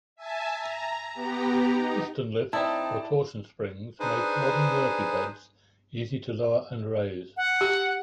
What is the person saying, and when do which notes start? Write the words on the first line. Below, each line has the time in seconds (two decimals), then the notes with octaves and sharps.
Piston-lifts or torsion springs make modern Murphy beds easy to lower and raise.
0.16 E5 G#5 A5
0.56 A#5
1.13 B3 G4 A#5
1.70 D#4
2.53 C4 D#4 E4 D5 A5
4.00 D4 D#4 G#4 B4 C5 G#5
7.37 F#5
7.61 G4